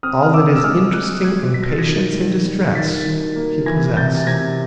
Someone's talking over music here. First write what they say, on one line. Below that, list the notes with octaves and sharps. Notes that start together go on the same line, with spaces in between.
All that is interesting in patience in distress he possessed.
C4 D#6 F6
F6
C4 D6 E6
E6
G#3 D#6 F6
G#3 E6 F#6
G#3 F#6 G#6
B2 B6
A#6
A6
G#6 A#6
D#3
G3
G3
D#3 A6 B6
D#3
A#3
E3 G#6 A#6
C3 G6 A6
C3 G#6 A#6